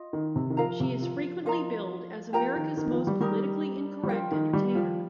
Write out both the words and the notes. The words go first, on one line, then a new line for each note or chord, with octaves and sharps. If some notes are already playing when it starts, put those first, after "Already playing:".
She is frequently billed as America's Most Politically Incorrect Entertainer.
Already playing: F4 D#5
D#3
C3
D#3
F3 A#4 F5 A#5
C3
F3
F3
F3 F4 A#4 D#5 A#5
F3 G4 A#4 G5 A#5
D#3
D#3
F3
G3
G3 D#4 G4 A#4
G3
F3 F4 A#4 G5
D#3
G3
F3